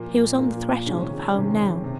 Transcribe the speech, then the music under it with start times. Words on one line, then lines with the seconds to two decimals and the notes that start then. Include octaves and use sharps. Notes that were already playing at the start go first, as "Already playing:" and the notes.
He was on the threshold of home now.
Already playing: A#2 F3 A#3
0.38 A#2 F3 A#3
0.86 C3 D#3 G#3 C#4
1.35 C3 D#3 G#3 C#4
1.84 C3